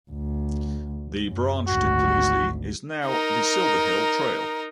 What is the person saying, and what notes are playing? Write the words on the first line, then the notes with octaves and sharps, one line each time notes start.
The branch to Pleasley is now the Silverhill Trail.
D2
F#2
G#1 D2 F#4
D#4 A#4